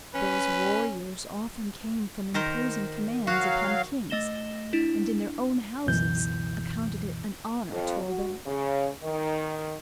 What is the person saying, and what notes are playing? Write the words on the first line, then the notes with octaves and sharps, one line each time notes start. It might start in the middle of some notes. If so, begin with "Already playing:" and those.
Those warriors often came from imposing commands upon kings, and in their own houses accounted it an honor to obey.
C#4 B4
D#3 A#4 C5
F#3 F#4 F5
A3 D#5 A#6 E7 G7
D4 E4
C#2 F#2 B2 E3 G6
F2
F#4
C#3
D#3